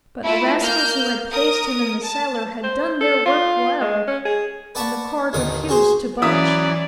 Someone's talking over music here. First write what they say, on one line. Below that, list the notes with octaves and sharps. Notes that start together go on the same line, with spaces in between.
But the rascals who had placed him in the cellar had done their work well, and the cord refused to budge.
A3 E4 F4
A#3 F6 G6
A#4 D#6
A5
C5
A4
F4
G#3
C#4
G#4
B4 D5 F#5 A5 B5 C#6
A1 D#2 D3 D#3 D6 D#6
F#4 G#4 C5
E3 F#3 C#4 E4 D5 D#6 B6